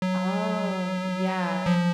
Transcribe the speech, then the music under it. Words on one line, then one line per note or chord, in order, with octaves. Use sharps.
Oh, yeah.
F#3
F3